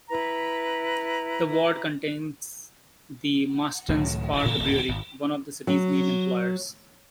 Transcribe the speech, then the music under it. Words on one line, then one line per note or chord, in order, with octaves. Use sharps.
The ward contains the Marstons Park Brewery, one of the city's main employers.
E4 B4 A#5
C#2 A2 D#3 F#3
E1 C#3
A2 C#3 E3 A#3
D1 G#1 G2 A#2
G#1
F#3